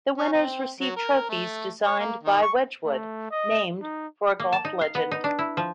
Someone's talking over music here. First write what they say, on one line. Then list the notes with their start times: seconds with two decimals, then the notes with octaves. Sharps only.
The winners receive trophies designed by Wedgwood named for a golf legend.
0.18 C#4
0.32 C4
0.80 F#3
0.96 A#4
1.29 A3
1.85 C#5
1.99 A#3
2.23 D#3
2.42 C#6
2.85 A3
3.31 D#5
3.82 D#4
4.40 A#3
4.52 A5
4.65 D#4
4.81 F5
4.95 B3
5.11 D#4
5.24 D4
5.39 E4
5.57 F3